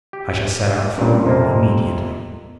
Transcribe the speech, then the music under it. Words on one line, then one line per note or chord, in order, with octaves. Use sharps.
I shall set out for Rome immediately.
G4
G2 A#2 C4 C#4
F2 C3 A#3
B3